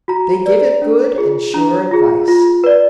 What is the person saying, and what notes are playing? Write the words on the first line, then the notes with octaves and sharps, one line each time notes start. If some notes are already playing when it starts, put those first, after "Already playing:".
They give it good and sure advice.
F#4 A#5
B4 D5
D4
F4 G#4
D4 A#5
F4 G#4
F4
B4 D5